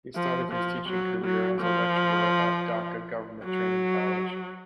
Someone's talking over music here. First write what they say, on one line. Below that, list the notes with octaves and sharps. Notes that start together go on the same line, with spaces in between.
He started his teaching career as a Lecturer at Dacca Government Training College.
F3
F3
F#3
F#3
F3
F#3